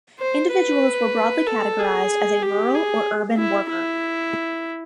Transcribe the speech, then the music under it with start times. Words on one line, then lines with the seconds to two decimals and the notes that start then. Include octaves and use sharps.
Individuals were broadly categorised as a "rural" or "urban" worker.
0.19 C5
0.51 B4
1.47 A4
1.78 G#4
2.42 G4
2.74 G#4
3.37 E4
3.70 E4